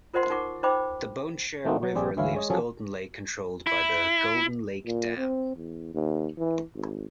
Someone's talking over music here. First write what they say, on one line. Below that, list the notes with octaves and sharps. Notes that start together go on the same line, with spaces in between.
The Bonnechere River leaves Golden Lake controlled by the Golden Lake Dam.
F4 A#4 C5 D#5 F#5 C6
D#4 A#4 F#5 C#6 D6
D#4 C5 D#5 G5 B5 D6
E3 A3 A#3 C4 D#4 F#4
F#3
A#1 G3 C4 G4 G#4
D2 E3 E4 C#5 F5
G#3 C#5 D#5
F3 F#3 C#4 G#4 A4
E4
A#2
C4
E2
D#2
E3
G#1